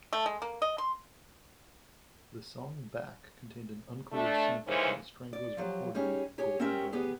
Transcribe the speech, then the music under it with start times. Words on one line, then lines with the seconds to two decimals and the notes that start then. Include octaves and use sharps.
The song "Back" contained an uncleared sample from the Stranglers' recording "Golden Brown".
0.13 A3
0.26 G#3
0.42 A#3
0.62 D#5
0.78 C6
4.13 A3 D4
4.67 D#2 D#3 E3 G#3 C#4 C5
5.33 D5
5.57 F3 F#3 G4
5.95 G3 C#4 D#4 G4 G#4
6.38 G4 G#4 C#5
6.60 C4 C#4 F#4 G4 A#4 E5
6.93 B3 G4 G#4